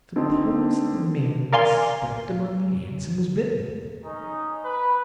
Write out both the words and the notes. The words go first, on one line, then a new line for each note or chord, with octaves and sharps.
Suppose the man stepped among the ants and was bitten.
D3 C4 D#4
A#4 D5 F5 G#5 C6
C#4 D#4
B4